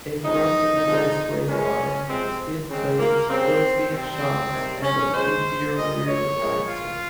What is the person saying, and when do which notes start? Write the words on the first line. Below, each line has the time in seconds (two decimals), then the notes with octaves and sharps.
A front anti-sway bar, skid plates, Bilstein shocks, and a beefier rear axle.
0.23 C#3 F3 G#3 D#4
0.85 C3 F3 G#3
1.46 A#2 G#3 C#4
2.07 C3 F3 G#3 C4
2.69 C#3 G#3 C4
2.99 A#3
3.30 C#3 G3 C4
3.92 C3 G3 C4
4.52 C3 D#3 G3
4.83 C#4
5.14 C#3 F3 G#3 C5
5.75 A#2 G3 D#5
6.06 C#5
6.37 A#2 F3 G#3
6.67 F4